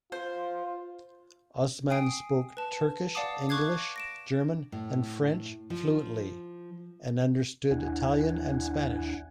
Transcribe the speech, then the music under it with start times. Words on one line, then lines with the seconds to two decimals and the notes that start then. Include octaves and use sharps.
Osman spoke Turkish, English, German and French fluently and understood Italian and Spanish.
0.12 F4 C5
1.90 G5 G#5 D#6 C7 D7
2.57 B4 A5
3.15 D5 F5 F#5 A5 D6 D#6
3.49 C#6 D6 F#6 G#6 C7
3.96 A#6 D7 E7
4.72 A2
5.70 F3
7.71 D#2 D4 E4 F#5 G#5